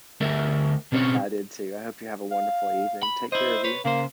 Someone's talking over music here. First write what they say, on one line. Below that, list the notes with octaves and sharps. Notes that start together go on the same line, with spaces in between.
I did too. I hope you have a wonderful evening, take care of you.
D2 A3 A#4 E5
B2 C4 C#4 C5 C#5
F5
B5
E4 C5 D#5
B4 C#5
C#3 A#3 C5